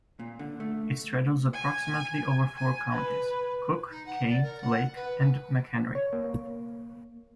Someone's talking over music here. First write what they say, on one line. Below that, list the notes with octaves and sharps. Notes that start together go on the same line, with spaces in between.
It straddles approximately over four counties, Cook, Kane, Lake, and McHenry.
A#2
D3
A3
G#5
G#5
B4
D#4
F#5
D5
A#4
F#5
B4
C#5
A#3